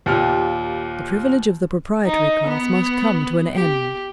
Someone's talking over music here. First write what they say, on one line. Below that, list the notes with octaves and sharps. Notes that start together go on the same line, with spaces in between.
The privilege of the proprietary class must come to an end.
D#2 A#2 G4 F6
D#4
B3
G4